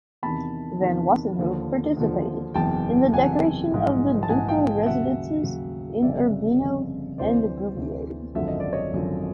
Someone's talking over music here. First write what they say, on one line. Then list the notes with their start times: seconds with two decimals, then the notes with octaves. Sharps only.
Van Wassenhove participated in the decoration of the ducal residences in Urbino and Gubbio.
0.23 E2 C3 D#3 A5 B5
0.81 E2 C3 D#3
1.39 D#2 D3 F3
1.97 D#2 D3 F3
2.54 F#1 E2 C3 E3 G5 A5
3.13 F#1 E2 C3 E3 F#5 G#5
3.72 A#1 G#2 E3
4.23 A5
4.28 A#1 G#2 E3 F#5 G#5
4.48 F5 G5
4.86 D#2 C#3 F#3 E5 F#5
5.45 D#2 C#3 F#3
6.02 G1 F2 C#3 D5 E5
6.60 G1 F2 C#3
7.18 D2 C3 E3 C5 D5
7.76 D2 C3 E3
8.35 G#1 F#2 D3 F3 E5
8.48 D#5
8.60 D5
8.73 C#5 D#5
8.92 G#1 F#2 D3 F3